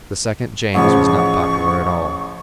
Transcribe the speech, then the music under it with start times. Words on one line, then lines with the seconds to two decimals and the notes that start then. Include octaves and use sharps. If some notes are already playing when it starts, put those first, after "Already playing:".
The second James was not popular at all.
0.74 A1 C#3 F3 C#6